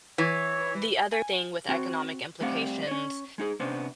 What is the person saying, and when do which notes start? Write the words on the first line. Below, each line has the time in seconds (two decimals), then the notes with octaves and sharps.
the other thing with economic implications
0.18 E3 C#5
1.12 G#5
1.69 C4 F#4
2.40 G3 A3 C4 F5 F#5
2.87 C#4 C#5
3.38 G#3 D#4 G#4
3.60 C3 B3 C#4 D4 C5